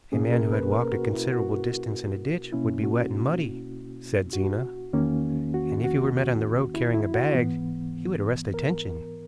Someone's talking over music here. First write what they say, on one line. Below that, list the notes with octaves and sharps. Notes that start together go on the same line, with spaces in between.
"A man who had walked a considerable distance in a ditch would be wet and muddy," said Zena, "and if he were met on the road carrying a bag he would arrest attention."
B2 A#3 C#4 G#4
A#4
B4
A#4
F#4
E4
F#4
B2 A#3 C#4 E4
F#4
F#4
E2 D#3 A#3 C#4
F#4
F#4
E4
E4
F#4
G#2 E3 B3
A#4